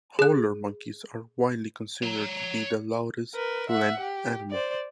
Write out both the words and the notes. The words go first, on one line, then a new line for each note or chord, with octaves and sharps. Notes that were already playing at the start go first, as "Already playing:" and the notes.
Howler monkeys are widely considered to be the loudest land animal.
G#4 F#6
C#5 A#5
A#4 B4
E5 F#5
G4
C5 D5